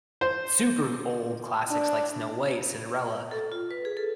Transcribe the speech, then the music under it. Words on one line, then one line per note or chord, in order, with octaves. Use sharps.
super old classics like Snow White, Cinderella.
C5
D4
A4
F4
B4
G#4
A4